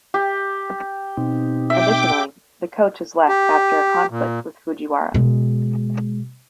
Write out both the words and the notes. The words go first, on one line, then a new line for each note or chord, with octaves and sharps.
Additionally, the coach has left after a conflict with Fujiwara.
G4
B2 C4 D#4
E5 G5 D6
G4
A#2
B2 G#3